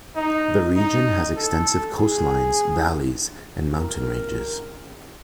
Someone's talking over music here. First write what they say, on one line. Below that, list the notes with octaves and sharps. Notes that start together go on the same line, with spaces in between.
The region has extensive coastlines, valleys and mountain ranges.
D#4
D#4
A4
G#4
A#4